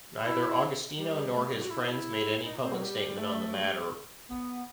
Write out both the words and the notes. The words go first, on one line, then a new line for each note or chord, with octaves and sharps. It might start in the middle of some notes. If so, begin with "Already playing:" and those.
Neither Agostino nor his friends made any public statement on the matter.
E4
G3
A3
G3
F#4
E4
D#4
E4
D#4
C4
F#3
G3
A3
F#3
A3
G3
B3